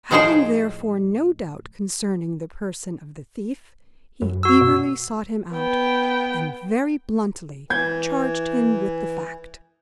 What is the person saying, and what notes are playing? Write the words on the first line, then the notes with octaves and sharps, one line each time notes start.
Having, therefore, no doubt concerning the person of the thief, he eagerly sought him out, and very bluntly charged him with the fact.
A2 F3 D#4 G#4 C5 G5
F#2
F#4 E6
B2
B3 G5
E3 G6 G#6